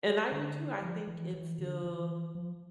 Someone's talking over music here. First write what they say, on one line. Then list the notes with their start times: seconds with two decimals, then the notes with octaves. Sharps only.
and I do too, I think it's still
0.32 D3
0.82 F3
1.07 E3
1.33 E3
1.58 D3
1.84 E3
2.35 F3